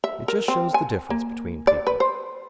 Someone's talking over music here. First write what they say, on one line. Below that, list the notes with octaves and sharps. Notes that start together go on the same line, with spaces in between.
It just shows the difference between people.
E5
A#4
C4
G#5
A#3
D5
B4
C5